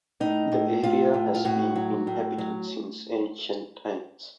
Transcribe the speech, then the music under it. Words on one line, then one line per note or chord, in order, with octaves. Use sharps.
The area has been inhabited since ancient times.
A2 D#4
A2
A2 F4
A2
F4
A2 F#4
F#3
A2
F#3